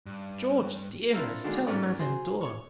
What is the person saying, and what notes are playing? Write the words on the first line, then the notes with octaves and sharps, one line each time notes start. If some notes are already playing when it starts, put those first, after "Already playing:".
George, dearest, tell Madame Dor.
G2
C4 D4 E4 F4 A4 A#4
D3 D#3 F#3 G#3 A#3 D4
G#2 A3 C#4 A#4 D5
F#3 G#4 C5
C#5 C#6